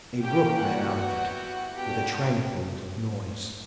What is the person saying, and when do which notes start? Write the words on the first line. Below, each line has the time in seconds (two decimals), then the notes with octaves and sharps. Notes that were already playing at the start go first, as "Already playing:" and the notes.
A brook ran out of it, with a tranquil little noise.
0.22 A#3 C#4 F#4 G4 G5
0.60 F#4 F#5
0.99 B3 E4 G4
1.75 B3 D4 F#4 G4 G5